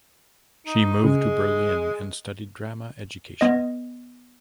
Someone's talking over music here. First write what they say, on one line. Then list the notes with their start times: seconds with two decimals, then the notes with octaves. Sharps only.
She moved to Berlin and studied drama education.
0.67 D#4
1.04 C#3 G#3
3.41 B3 D#5